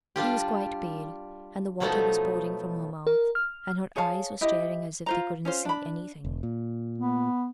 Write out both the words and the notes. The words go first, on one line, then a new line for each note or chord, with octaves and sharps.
She was quite pale, and the water was pouring from her mouth, and her eyes were staring as if they couldn't see anything.
G3 D4 F4 G4
B2 F3 F#3 A3 B3 D#4
A#4
F6
G#4 C#5 F5 A5
E4 G4 D#5
F4 C5 A#5
C#4 F4 C5
D4 B5
E1
A#2
B3